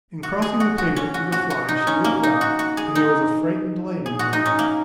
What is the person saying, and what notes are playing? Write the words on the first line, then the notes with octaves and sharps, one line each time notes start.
In crossing the pavement to the fly she looked back; and there was a frightened light in her eyes.
F#4
G#4
F#4
F#4
C#4
F#4
F#4
F#4
D#4
C#4
A#3
D#4
F#4
F#4
G#4
D#4
G#4
F#4
D#4
C#4
A#3